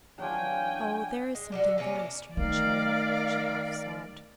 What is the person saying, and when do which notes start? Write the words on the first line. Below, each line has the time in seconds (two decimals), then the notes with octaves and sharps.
"Oh, there is something very strange here," she half sobbed.
0.19 F#3 D4 F4 G5 G#5
1.35 G#3
1.52 G3 G#3 F#4
1.64 D3
1.78 C3 A#3 C#5 G#5
1.95 C#4 D4
2.37 D#3 A3 A#4 D5 F5 F6